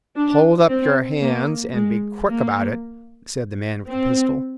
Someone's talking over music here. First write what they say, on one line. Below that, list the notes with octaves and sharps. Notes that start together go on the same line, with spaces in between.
"Hold up your hands, and be quick about it!" said the man with the pistol.
D4
C4
A#3
G#3
A#3
C4